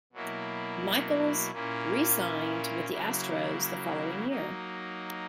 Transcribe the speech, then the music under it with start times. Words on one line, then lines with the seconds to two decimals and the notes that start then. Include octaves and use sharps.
Michaels re-signed with the Astros the following year.
0.13 B2 F#3 A#3 E4
1.51 A#2 A#3 C#4 E4
2.89 C#3 F#3 A#3 E4
4.28 F#3 A#3 D#4